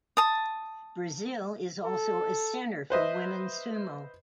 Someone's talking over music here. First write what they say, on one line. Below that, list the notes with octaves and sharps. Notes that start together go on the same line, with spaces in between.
Brazil is also a center for women's sumo.
A5 D#6
A4
B4 C5 D#5 E5